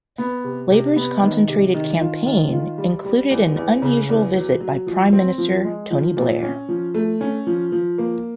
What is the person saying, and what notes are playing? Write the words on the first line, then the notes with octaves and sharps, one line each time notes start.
Labour's concentrated campaign included an unusual visit by Prime Minister Tony Blair.
B3
C3
C3
B3
D#3
C3
D#3
F4
D#3
F4
G3
G3
E2
E2
C#3
E2
F#3
F#3
F3
C4
F3
G#3
F3
A#2
C#4
F3
A3
C#4
F3
F3
A#3